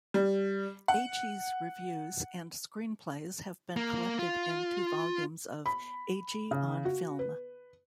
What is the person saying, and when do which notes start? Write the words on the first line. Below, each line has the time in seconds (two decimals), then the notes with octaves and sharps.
Agee's reviews and screenplays have been collected in two volumes of "Agee on Film".
0.14 G3
0.88 F#5
3.77 A#3
4.19 F4
5.66 B5
6.51 C#3
6.85 F#4
7.19 B4